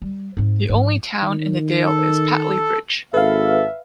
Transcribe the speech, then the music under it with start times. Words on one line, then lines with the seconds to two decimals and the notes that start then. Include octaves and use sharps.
The only town in the dale is Pateley Bridge.
0.02 G3
0.37 G#2 C4
0.69 G#2 F3
1.23 D#3
1.86 A4
3.14 G#1 A4 B4 E5 F5